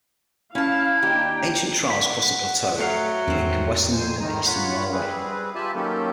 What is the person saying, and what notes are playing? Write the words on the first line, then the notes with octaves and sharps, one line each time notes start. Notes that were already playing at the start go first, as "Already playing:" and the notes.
Ancient trails cross the plateau, linking western and eastern Norway.
C#4 E4 F5 A5
D#2 D4 G4 G5 A#5
F#5 B6
F#3 A3 F5
E2 D#3 C4
F2 C5 G#5
A2 D#3 E3 D#4 A#5 D#6
F4 C#5 F#5 B5
G3 C4 G#4 B4
F4 G4 E5 G#5 A5 B5
D#3 F#3 A#3 C#4 G4 A4